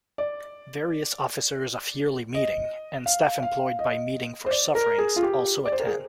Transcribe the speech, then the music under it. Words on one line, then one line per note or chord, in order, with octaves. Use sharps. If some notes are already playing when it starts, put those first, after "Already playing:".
Various officers of Yearly Meeting, and staff employed by Meeting for Sufferings, also attend.
D5
D#5
F5
F5
D#5
C5
D5
A#4
G#4
F4
G4
D5
C5
A#4
G#4